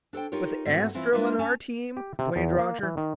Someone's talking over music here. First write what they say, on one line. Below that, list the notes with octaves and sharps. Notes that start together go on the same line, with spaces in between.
"With Astro on our team?" complained Roger.
D4 A4 C5 G5
D#4 F4 G4 A#4 C#5
G#2 B2 A3 C4 F#4
E3 C4 E4 F4
G#3 D4 E4 F4 B4 E5
C#4 G#5 A5
G4
C3
E2
A#3
E3
D#3